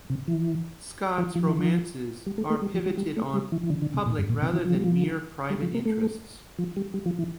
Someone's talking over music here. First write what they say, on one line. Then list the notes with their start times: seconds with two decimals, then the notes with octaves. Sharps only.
Scott's romances are pivoted on public rather than mere private interests.
0.10 C3
0.28 E3
1.18 F3
1.35 F3
1.48 E3
1.59 F3
2.26 G3
2.38 A3
2.50 A3
2.62 G3
2.74 F3
2.86 G3
2.97 G3
3.16 A3
3.34 G3
3.52 E3
3.63 E3
3.70 D3
3.82 D3
3.94 C3
4.06 A#2
4.18 G2
4.29 A#2
4.42 C3
4.53 E3
4.65 F3
4.75 G3
4.84 F3
5.50 G3
5.62 F3
5.75 A#3
5.85 A3
6.59 F3
6.76 G3
6.94 G3
7.06 F3
7.19 E3